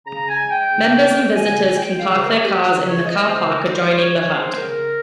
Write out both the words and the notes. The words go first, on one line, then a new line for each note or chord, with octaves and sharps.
Members and visitors can park their cars in the car park adjoining the hut.
C#3 A#5
G#5
G#3
G5
C#3
G#3
C#3 G#5
G#5
G#3
G5
C#3 F5
C5
A#4
G#3 G#4
G4
C#3
C#5
G#3
D#5
C#3 C5
A#4
G#3
C5
C#3 C#5
C#5
G#3
C5
C#3 A#4